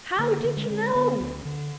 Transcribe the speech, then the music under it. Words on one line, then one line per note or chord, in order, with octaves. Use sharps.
"How did you know?"
D3 A#3
D3
G#3
D3
D3 B3
D2
D3